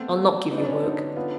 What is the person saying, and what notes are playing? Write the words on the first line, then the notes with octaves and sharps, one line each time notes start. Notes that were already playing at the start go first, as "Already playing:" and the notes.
I'll not give you work.
Already playing: A3 B3 C4
F#3
B3 D#4
D4
C#4
D4
D3 D#4
B3 F4